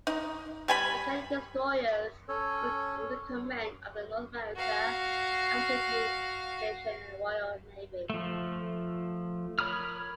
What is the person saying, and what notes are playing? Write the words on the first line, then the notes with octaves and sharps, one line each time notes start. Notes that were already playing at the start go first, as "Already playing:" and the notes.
The Canadian destroyers were under the command of the "North America and West Indies Station" of the Royal Navy.
D#4
G3 G#5 B5
C#4 A4 C#5
F#4 F5
F3 A3
A#4 C#5 B5 D#6 F6